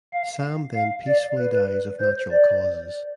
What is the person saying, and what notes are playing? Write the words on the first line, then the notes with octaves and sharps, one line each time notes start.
Sam then peacefully dies of natural causes.
F5
F5
D5
B4
C5
D5